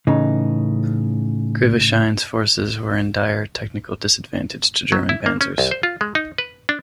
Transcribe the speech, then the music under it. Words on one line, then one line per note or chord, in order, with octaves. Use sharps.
Krivoshein's forces were in dire technical disadvantage to German panzers.
A2 C#3 E3 D#4
F#3
E4
A#3
C#4
C2
C5
F4
G#3
D#4
B4
D4